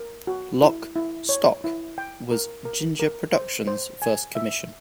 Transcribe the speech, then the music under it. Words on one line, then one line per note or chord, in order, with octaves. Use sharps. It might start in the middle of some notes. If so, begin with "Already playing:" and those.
"Lock, Stock..." was Ginger Productions' first commission.
Already playing: A#4
F#4
E4
E4
C#5
E4
G5
A#4
A#4
A#4
C5
C5
G#5
E5